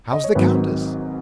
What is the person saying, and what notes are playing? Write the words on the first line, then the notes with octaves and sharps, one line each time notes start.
How's the countess?
D#5
C#5
G#1 G#2 D#3 F#3 B4